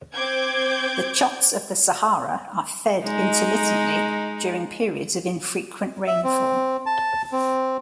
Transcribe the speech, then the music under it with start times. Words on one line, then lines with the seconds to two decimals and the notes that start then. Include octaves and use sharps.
The chotts of the Sahara are fed intermittently during periods of infrequent rainfall.
0.14 C4 D6 G6 G#6
3.04 G#3 D#4
6.07 E5
6.24 C4
6.86 A5
7.32 C4